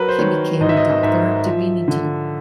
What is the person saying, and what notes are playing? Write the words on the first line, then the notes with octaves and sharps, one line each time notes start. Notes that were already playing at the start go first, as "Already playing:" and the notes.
He became a Doctor of Divinity.
Already playing: F#3 A#4 B4
C5
D#3 C#5
G#2 D#5
E5
D#5
G#2 E5
F3
D3